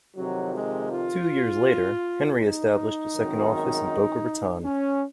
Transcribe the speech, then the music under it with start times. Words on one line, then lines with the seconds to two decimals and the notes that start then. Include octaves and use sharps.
Two years later, Henry established a second office in Boca Raton.
0.16 F2 C3 D#3 F#3
0.53 G#3
0.91 F4
2.40 D#4
3.14 G#1 F#2 D#3
4.64 C#4